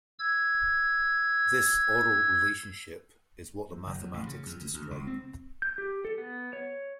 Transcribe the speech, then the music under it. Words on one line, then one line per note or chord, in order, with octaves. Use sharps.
This aural relationship is what the mathematics describe.
E6 G#6
F2
F#1
F2
A1
C#3
F2
D2
D2
C#2
C4
G6
G4
A4
B3
C#5